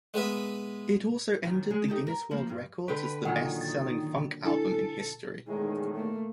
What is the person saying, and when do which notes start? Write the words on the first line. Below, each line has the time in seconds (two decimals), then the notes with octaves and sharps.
It also entered the Guinness World Records as the best-selling funk album in history.
0.14 G#3 B3 B4 E5
1.44 D#2 D#3
1.71 G#3
1.88 D#4 G4 A4
2.07 A#4
2.31 F3 A#3
2.49 G2
2.88 D3 B4 G5
3.25 A#2 D#3 F#3 F#5
3.61 A6
4.45 D4 E4 A4 G#5
5.47 E2 A2 D#3 G#3
5.95 A3 A#3